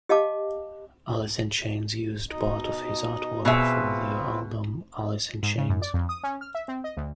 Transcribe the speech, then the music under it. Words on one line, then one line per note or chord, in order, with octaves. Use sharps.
Alice in Chains used part of his artwork for their album "Alice in Chains".
G4 D#5 F5 A5 D6
B2 D#4 D#5
B2 C4 F4 G#4 B4 E5
G#2
C#3
F#2
D5
F2
D#6
C#4
F6
E5
C4
D#5
D2